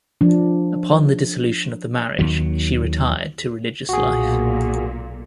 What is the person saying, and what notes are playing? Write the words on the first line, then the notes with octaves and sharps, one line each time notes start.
Upon the dissolution of the marriage, she retired to religious life.
F3 D4
D#2 D#3 F#3
B1 A#2 F#4 G#4